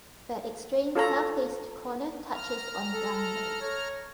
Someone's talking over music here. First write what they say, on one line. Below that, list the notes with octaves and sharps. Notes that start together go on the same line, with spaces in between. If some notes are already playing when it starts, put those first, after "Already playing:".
The extreme southeast corner touches on Gun Lake.
F4 A4 C#5 A#5
A#5 F6
A4
C#5